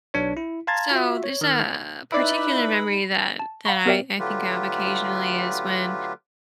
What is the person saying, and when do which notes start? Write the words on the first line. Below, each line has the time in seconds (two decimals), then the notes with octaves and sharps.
So, there's a particular memory that that I I think of occasionally is when,
0.14 B1 D4 C#5
0.37 E4
0.67 F5 A5 A#5 C6 G#6 A6
0.91 F4 F#4 E5
1.24 C#5
1.41 D#3 F6
2.12 D#4 E4 B4 D5 E5 B5
3.39 A5
3.65 F5 F#5 A#5 B5 C#6
3.86 B3 G4 A#4 D5 E5 G5
4.19 D3 F#3 A3 F4 G4 B4